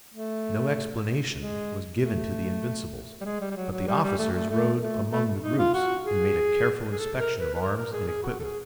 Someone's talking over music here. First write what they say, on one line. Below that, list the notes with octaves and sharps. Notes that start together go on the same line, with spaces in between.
No explanation was given to the Invincibles, but the officers rode among the groups and made a careful inspection of arms and equipment.
A3
G#3
A3
G3
G#3
G3
G3
F#3
F#3
G3
G3
A3
A3
A3
A3
A3
D#4
F4
F#4
G#4
G#4
A4
A#4
B4
B4
A#4
A#4
G#4
G#4
F#4
A4
G#4